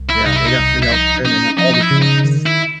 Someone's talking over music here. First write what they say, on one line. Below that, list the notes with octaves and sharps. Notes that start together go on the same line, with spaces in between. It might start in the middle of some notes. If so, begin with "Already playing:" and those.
Yeah, they got free healthcare, and they have all the jobs.
Already playing: C2
E4
C3 D#4
E4
D#4
C2
E4
F3 D#4
C#4 D#4
F3 D#4
D#4
E4
C#3
D#4
D#3
E4